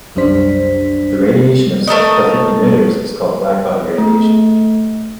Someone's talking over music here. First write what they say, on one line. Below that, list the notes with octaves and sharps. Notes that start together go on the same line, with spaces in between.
The radiation of such perfect emitters is called black-body radiation.
C2 F#2 G3 D4 C5 B6
A3 A4 A#4 D#5
A3